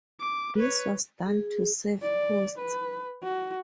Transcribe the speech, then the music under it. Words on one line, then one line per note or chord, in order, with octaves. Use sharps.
This was done to save costs.
D6
B4 C#5
G#4
D5
B4
F#4